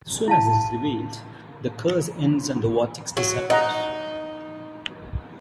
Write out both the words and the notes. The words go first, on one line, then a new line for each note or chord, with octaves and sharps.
As soon as this is revealed, the curse ends and the vortex disappears.
E4 F5 A5
F#3
D#4 D#5 F#5 A#5